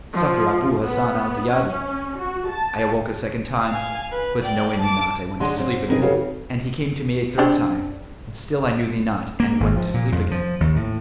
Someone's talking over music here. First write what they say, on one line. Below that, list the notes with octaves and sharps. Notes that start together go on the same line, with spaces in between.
Succour Abu Hassan al-Ziyadi.' I awoke a second time, but knowing thee not I went to sleep again; and he came to me a third time and still I knew thee not and went to sleep again.
F3
B3
C#4
F#4
A5
F5 G#5
B4
D5 G5
A5 D6
D3 G#3 D4 C6
G#2 C4
C3 C4 D#4 G#4 A#4 B4
C#3 F#4 G4 A4 B4
C4 D4 G#4
A#3
G#1
F3
A#2
F2
F3
D#2
A2